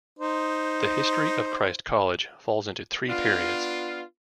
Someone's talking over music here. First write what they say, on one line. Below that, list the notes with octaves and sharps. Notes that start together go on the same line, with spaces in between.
The history of Christ College falls into three periods.
D#4 C5
B3 D4 F4